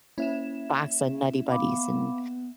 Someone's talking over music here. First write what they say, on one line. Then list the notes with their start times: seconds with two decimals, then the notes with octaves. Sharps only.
box of Nutty Buddys and
0.18 A#3 C#4 E4 E5 E7
1.49 B3 F5 B5 D6